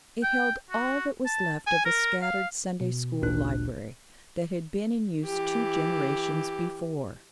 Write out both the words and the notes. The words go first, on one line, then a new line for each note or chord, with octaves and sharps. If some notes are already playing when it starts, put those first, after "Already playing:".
It held all that was left of a scattered Sunday-school library, that had been in use two generations before.
G5
F#4
A5
G#5
A#4
F5
B2
G#1 D2 A#2 D4 F#6
E3 G4